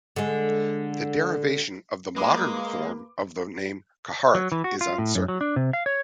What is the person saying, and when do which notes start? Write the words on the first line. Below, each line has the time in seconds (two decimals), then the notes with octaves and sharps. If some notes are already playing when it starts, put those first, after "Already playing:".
The derivation of the modern form of the name "Carharrack" is uncertain.
0.16 D3 G#3
2.16 G#3 A#3 B4 B5 D6
4.35 F#3
4.52 E3
4.64 F#4
4.81 F4
4.98 A2
5.15 F#2
5.28 F#3
5.41 D4
5.56 C3
5.73 F5
5.86 C#5